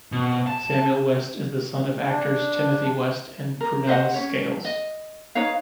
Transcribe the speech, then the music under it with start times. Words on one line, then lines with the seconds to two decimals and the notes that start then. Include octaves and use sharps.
Samuel West is the son of actors Timothy West and Prunella Scales.
0.12 B2
0.47 A5
2.10 D4
3.60 A#4
3.87 C5 D#5 E5 F#5
4.14 C#4 C#5
4.65 D#5
5.35 D#4 B4 C#5 F5